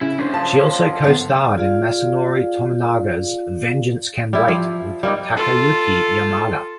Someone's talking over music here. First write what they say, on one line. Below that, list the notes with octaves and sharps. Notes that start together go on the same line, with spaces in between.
She also co-starred in Masanori Tominaga's "Vengeance Can Wait" with Takayuki Yamada.
C#3 E4
F#2 C#3 D4 C5
F3 A5
D3 B3
F4 G#4 D5 F5
G3 E4
F3
G3 A#3 C4 D#4
F4 A4